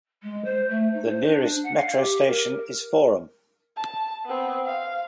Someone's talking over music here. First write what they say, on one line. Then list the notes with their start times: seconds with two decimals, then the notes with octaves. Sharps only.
The nearest metro station is Forum.
0.23 G#3
0.45 C5
0.69 A3
0.94 D#4
1.09 C5
1.24 D4
1.63 F#5
1.76 F5
1.96 G4
2.26 A#4
3.76 A5
4.25 B3 C4
4.65 F5